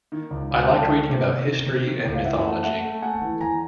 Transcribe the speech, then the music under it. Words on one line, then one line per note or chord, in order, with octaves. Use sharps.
I like reading about history and mythology.
D#3
C#2
C#2
C#2 G5 A5
D#3
C3
C3
D#3
C3
D#3
C#2
F5
E3 E5 F#5
A3
A3 E5 F#5
A3
A3 F#5 G#5
E3
E2 G#5 A#5